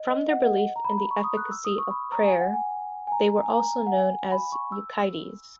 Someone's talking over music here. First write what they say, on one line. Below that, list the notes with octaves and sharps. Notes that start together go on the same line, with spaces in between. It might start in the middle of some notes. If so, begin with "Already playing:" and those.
From their belief in the efficacy of prayer, they were also known as Euchites.
Already playing: D#5
D#5
F#5
F#5
F#5
A#5
B5
B5
C#6
D#6
F#6
E6
D#6
C#6
B5
A#5
G#5
F#5
G#5
G#5
A#5
A#5
G#5
A#5
F#5
G#5
B5
C#6
E6